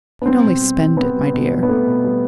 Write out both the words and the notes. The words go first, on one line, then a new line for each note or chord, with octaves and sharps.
"He'd only spend it, my dear."
B3
G3 C4
B2
G3
G3
B2 B3
G3
B2
G3
B3
B2 A3
B2
G3